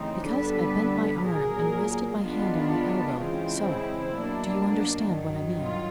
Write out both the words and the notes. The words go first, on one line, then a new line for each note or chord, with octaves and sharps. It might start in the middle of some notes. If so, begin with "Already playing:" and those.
"Because I bent my arm and rested my hand on my elbow--so; do you understand what I mean?"
Already playing: C#3 E3 A3 C4 D#4
D3 G3 B3 D4 A4 B4
A#2 F#3 A#3 G#4 A#4
D#3 G#3 B3 D4 F4
C#3 E3 G#3 C4 F4
E4
B2 F#3 A#3 D4
G2 D#3 F#3
F4